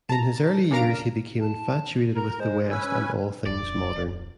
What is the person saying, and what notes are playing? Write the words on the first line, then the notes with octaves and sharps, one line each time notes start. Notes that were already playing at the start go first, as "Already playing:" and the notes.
In his early years he became infatuated with the West and all things modern.
A5 A#5
C#3 D4 A#4 F5 A#5 D7
A5
A#4 A#5
G#3 C5
C#4 B4 G#5 E6
D1 F2 D5